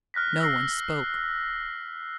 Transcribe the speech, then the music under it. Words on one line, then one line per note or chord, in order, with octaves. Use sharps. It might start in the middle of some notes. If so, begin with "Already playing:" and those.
No one spoke.
F6 F#6 A#6 B6
E6 F6 A#6 C7